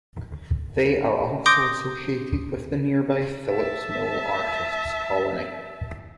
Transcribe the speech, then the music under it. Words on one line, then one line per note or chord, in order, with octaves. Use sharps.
They are also associated with the nearby Phillips Mill artists colony.
C6 D6 D#6 G6 A#6 D7
E5 A5